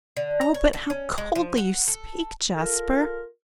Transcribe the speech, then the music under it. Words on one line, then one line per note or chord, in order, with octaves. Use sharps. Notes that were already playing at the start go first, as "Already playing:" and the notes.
'Oh, but how coldly you speak, Jasper!'
D3
A#5
C#5
A4
C#4
G#3
F3
F#5
A4
F4 A4 A#4